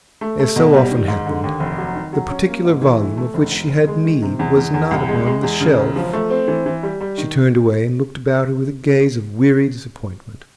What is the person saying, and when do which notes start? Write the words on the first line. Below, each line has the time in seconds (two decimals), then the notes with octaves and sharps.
As so often happened, the particular volume of which she had need was not upon the shelf she turned away, and looked about her with a gaze of weary disappointment.
0.21 A3
0.39 A3
0.56 B2
0.74 G3
0.91 D#3
1.08 G#2
1.26 D3
1.44 D#2
1.60 F1
1.78 F#3
1.95 D#3
2.13 F#3
2.30 C#4
2.47 A#3
2.65 G#2
2.82 E3
3.00 A3
3.17 A3
3.34 F1
3.51 F1
3.69 F1
3.87 G#3
4.05 D#3
4.22 C3
4.39 E2
4.57 E2
4.74 E2
4.91 C2
5.09 G#3
5.26 G#3
5.43 E2
5.61 C#3
5.78 E1
5.96 F3
6.13 A3
6.30 C4
6.48 E3
6.66 E3
6.83 G3
7.01 G3
7.18 D#3